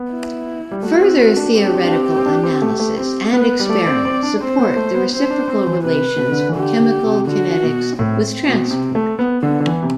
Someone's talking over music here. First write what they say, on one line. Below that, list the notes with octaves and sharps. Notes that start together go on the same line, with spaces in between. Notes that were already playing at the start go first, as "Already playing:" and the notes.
Further theoretical analysis and experiments support the reciprocal relations for chemical kinetics with transport.
Already playing: B3
E4
G3
A3 F#4
C4
C4
D4
C4 G4
D4
C4
D4
C4
C4
D4
C4
A3
A3
C4 G4
B3 B4
G3
A3 D5
C4
C4
D4
C4 C5
B3
A3
B3
C4 C5
D4
C4
E3
C3 B4
B2
C3
D3
E3
D3 G4
D3
C3
D3 F#4
B2
A2 C4
B2
C3
A3
B3
D3 B3
D3
E3
C3